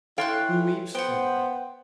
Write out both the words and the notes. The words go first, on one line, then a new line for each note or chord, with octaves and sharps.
Who weeps for them?
E3 A4 C#5 F5 G5 C6 F#6
B3 C5 F#5 G5